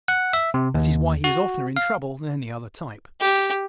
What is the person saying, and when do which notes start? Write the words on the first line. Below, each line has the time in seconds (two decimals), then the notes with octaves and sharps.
That is why he is oftener in trouble than any other type.
0.08 F#5
0.33 E5
0.54 C3
0.74 D#2
1.24 F#4
1.77 F5
3.21 G4